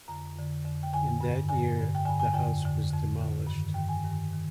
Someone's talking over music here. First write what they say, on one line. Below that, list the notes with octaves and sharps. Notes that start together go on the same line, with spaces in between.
In that year the house was demolished.
F2 D3 A#5
F2 D3
F2 D3
G5
F2 D3 G#5
G2 D3
G2 D3 G#5
G2 D3
G5
G2 D3 G#5
G#5
F2 D3 G5
F2 D3
F2 D3
F2 D3
G2 D#3
G2 D#3 G5
G#5
G2 D#3
D#3